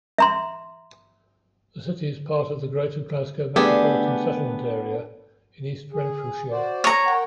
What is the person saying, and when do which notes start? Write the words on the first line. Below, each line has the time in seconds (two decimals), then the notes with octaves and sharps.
The city is part of the Greater Glasgow Metropolitan Settlement Area in East Renfrewshire.
0.18 E5 A#5 C6
3.56 A3 B3 D4 G4 G#4
5.93 G#4
6.50 F#4 C5 D5
6.84 C#5 A#5
7.06 A#4 F#5 G5